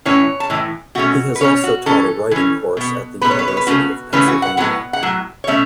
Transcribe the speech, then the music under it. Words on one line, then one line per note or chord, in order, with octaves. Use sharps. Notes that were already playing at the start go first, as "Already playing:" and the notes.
He has also taught a writing course at The University of Pennsylvania.
A2 E3 C#4 C#5
A5
A2 E3
B2 A3 C#4 F#4
B4
B2 A3 C#4 C#5
F#4
E3 C#4 A4
E3 C#4
B2 B3
B2 B3 B4
C#5
B4
C#5
B4
C#3 E3 A3 C#4 F#4
C#3 E3 A3 C#4 B4
F#4
F#5
A2 F#3 B3 F#5
F#5
A2 F#3
C#5
B2 A3 C#4 E5